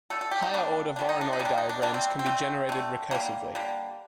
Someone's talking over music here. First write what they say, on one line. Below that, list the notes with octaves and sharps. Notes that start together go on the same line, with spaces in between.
Higher-order Voronoi diagrams can be generated recursively.
D3 A3 A4
A4
G4
D#4
D#3 G3 A#3 D4
D#3 G3 A#3 D4
D#4
D4
D#4
C3 G3 A#3
D4
D#4
D4
C3 G3 A#3 D4
C4
C4
D3 A3
D3 A3
D3 G3 A#3
D3 G3 A#3